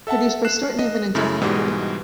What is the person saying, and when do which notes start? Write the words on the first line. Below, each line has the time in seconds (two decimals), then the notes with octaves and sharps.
Produced by Stuart Niven and Jef Carter.
0.07 A4 E5 F#5 A5
0.45 F#6 C7 E7
0.78 D#5
1.15 F#2 C#3 A3 E4
1.42 G#2 B2 E3 G3 G#3